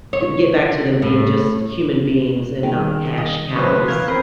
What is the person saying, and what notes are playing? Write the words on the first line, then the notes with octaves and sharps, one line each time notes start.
g get back to them being just human beings and not cash cows
C#5
A2
D#3 G3 G#4
D#5 D#6
C#3 F#3 B4 C5 C#6 D#6
E3 A#4 F5 G#6
C4 A#4 C5 D#5 B5